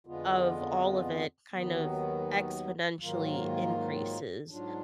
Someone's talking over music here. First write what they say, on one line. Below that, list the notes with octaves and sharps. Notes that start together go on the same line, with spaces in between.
of all of it kind of exponentially increases.
F2 D3 G#3 B3 F4
D#2 D#3 F#3 B3
G#2 D#3 F#3 A#3 F4
G#2 F#3 D4 F4